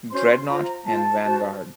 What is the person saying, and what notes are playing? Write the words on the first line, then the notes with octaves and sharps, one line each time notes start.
"Dreadnought" and "Vanguard".
C#4 F#4 C5 C6
F4 C5 A#5
F4 C5 A5
F#4 C5